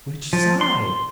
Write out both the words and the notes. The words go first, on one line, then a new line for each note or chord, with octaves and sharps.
"Which side?"
F3
C6